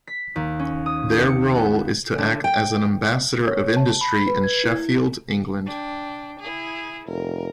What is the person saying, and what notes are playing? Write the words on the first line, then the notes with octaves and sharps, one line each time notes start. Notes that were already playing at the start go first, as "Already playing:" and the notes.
Their role is to act as an ambassador of industry in Sheffield, England.
B6
D#2
C#4
D#6
G4
C#7
B3
D3
G5
C#5
A5
B5
B4
G#6
E4
D4 G5
E4 G#4
F1 A#4